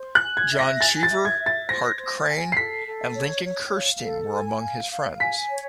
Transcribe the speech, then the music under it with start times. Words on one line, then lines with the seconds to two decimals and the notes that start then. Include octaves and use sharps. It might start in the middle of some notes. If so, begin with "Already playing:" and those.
John Cheever, Hart Crane, and Lincoln Kirstein were among his friends.
Already playing: C5
0.15 F#6
0.22 G#5
0.37 G#6
0.52 E5
0.59 A#6
0.81 G#5 A6
1.03 A6
1.10 E5
1.25 G#6
1.39 E5
1.46 A6
1.69 C5 A#6
1.98 C5
2.27 G#5
2.52 C7
2.56 A4 B6
2.86 A4
3.15 C#5
3.44 C#5
3.74 F5
4.02 A4
4.32 G#5
4.62 F5
4.91 F5
5.20 G#5 B6
5.49 C#5